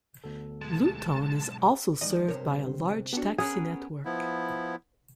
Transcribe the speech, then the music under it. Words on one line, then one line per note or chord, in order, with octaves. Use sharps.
Luton is also served by a large taxi network.
D2 B3 A4
B1 G#3 A5
D#3 E3 G#3 D5 D#5 D#6
B1 G2 C3 A#4 C5 C#5
D3
B3 D4 F#4 G4 A4
B3 C#4 G#4 A#4 D#6 F6 F#6
F3 B3 E4